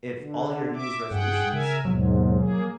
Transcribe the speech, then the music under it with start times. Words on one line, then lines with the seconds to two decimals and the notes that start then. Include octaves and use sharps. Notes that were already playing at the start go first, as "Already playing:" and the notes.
if all your New Year's resolutions
0.18 D3
0.74 E5 D6
1.11 G2 G#4 F#5 G5
1.53 C#3 A#4 E5 G#5
1.85 D#2 G#2 B2 F#3
2.38 A#3 G#4